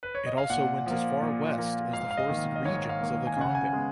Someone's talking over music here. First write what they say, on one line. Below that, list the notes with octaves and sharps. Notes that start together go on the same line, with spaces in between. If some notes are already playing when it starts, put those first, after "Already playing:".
It also went as far west as the forested regions of the Congo.
B4
C#5
D#5
F5
A#2 F#5
F3 A#3
A#2
F3 A#3
G#2 F5
F5
D#5
D#3 A#3
D#5
G#2 C#5
F5
D#3 A#3
G#5
C#3 F#5
G#5
G#3 B3